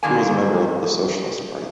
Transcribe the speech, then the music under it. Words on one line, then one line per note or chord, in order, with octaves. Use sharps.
He was a member of the Socialist Party.
F2 D3 D#3 G3 A#3 G#5